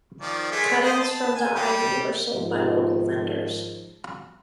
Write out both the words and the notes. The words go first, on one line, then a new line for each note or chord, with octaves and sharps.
Cuttings from the ivy were sold by local vendors.
D#3 F3 D5
G#3 A3 A#4
C5 D#5
A5
G#5
G3 G4
G#2 D#3 F3